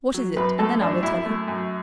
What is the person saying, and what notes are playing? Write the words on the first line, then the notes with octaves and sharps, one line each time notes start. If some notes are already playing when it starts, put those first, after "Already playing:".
"What is it, and then I will tell you?"
F#3
F#2 B4
A3 A4
F#2 D4
F#2 E4
A3
F#2